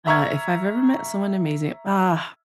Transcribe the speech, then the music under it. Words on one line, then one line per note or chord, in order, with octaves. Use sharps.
Uh, if I've ever met someone amazing ah,
E5 A#5 C#6 E6 F6 G#6